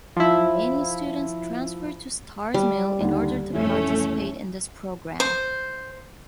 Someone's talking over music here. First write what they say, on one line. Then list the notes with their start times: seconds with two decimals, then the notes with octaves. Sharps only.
Many students transfer to Starr's Mill in order to participate in this program.
0.16 F3 E4
2.54 G3
3.01 D#2 D3
3.53 F1 A2 E3 A3 C#4
5.20 C5